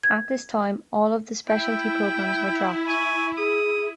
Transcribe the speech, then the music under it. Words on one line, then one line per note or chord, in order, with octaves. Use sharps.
At this time, all of the specialty programs were dropped.
G#6
E4 G5
G#5 C#6
G#4 D#6